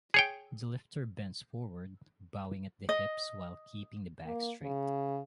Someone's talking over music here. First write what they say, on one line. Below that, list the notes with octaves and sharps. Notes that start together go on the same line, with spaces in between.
The lifter bends forward, bowing at the hips while keeping the back straight.
G#4 C#5 G5
D#5
A#3
C#3